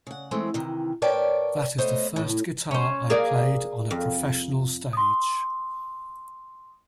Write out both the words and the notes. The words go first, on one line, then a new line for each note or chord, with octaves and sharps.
That is the first guitar I played on a professional stage.
C#3 F#5
E3 G#3 A3 C4
C3 D#3 E3
A#4 B4 C#5 D5 G5 A5
A3 B3 C5 C#5 D#5 F#5
A2
C#4 C5
A#3 G#4 A#4 D5
F2
C6 D#6